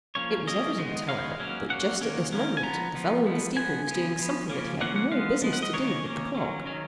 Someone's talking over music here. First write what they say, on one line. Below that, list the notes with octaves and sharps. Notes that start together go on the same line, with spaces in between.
It was evident, however, that just at this moment the fellow in the steeple was doing something that he had no business to do with the clock.
F3 A#3 C#4 C#5
F3 A#3 C#4 D#5
D#3 G#3 B3
D#3 G#3 B3 F5
F#3 A#3 C#4
F#3 A#3 C#4 F#5
D#3 A#3 C#4
D#3 A#3 C#4
G#5
F3 B3 A#5
F3 B3
F3 B3
F3 B3 G#5
F3 B3
F3 B3
C#3 F3 A#3 C#4
C#3 F3 A#3 C#4 F#5
F#5
F3 G#3 B3 F5
F3 G#3 B3
F#5
D#5
D#3 A#3 C#4 C#5
D#3 A#3 C#4
D#3 F#3 C#4
D#3 F#3 C#4